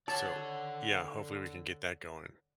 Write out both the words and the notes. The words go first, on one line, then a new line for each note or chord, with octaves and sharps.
so, yeah, hopefully, we can get that going.
D3 C#5 D5 F#5 A5